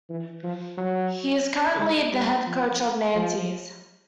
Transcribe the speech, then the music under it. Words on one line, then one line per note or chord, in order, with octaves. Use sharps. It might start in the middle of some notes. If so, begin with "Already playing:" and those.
He is currently the head coach of Nantes.
E3
F3
F#3
G#3
G3
F3
F3